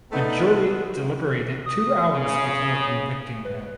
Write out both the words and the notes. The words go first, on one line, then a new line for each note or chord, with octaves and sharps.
The jury deliberated two hours before convicting her.
A3 B3 D4 D#4
D#6
C#3
B4